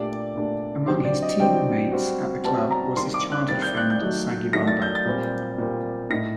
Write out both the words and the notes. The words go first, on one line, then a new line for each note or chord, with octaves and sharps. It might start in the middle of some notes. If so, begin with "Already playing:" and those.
Among his team mates at the club was his childhood friend Sagibarba.
Already playing: A#2 A3 D4 G4 D5
A#2 A3 D4 G4
D3 F#3 C4 G4 C5
D5
D#5
D3 F#3 C4 G4 G5
G3 C4 F#4
G3 C4 F#4 A5
A#5
D#3 G3 C4 C6
D6
F#6
D#3 G3 C4 A6
G6
F#6
G6
D#3 F#3 A3 D#4
D#3 F#3 A3 D#4 A#6
A6
G6
A6
A#2 G3 C4
A#2 G3 C4
A2 A3 D#4 A#6